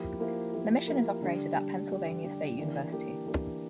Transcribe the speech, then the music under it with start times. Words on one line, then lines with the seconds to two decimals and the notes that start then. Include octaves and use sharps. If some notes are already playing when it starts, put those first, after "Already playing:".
The mission is operated at Pennsylvania State University.
Already playing: F3 A#3 E4 G4
0.19 F3 A#3 E4 G4
0.53 F3 A#3 E4 G4
0.88 F3 A#3 E4 G4
1.22 D3 G3 D4 G4
1.55 D3 G3 D4 G4
1.90 D3 G3 D4 G4
2.24 D3 G3 D4 G4
2.58 E3 A#3 D4 G4
2.92 E3 A#3 D4 G4
3.26 E3 A#3 D4 G4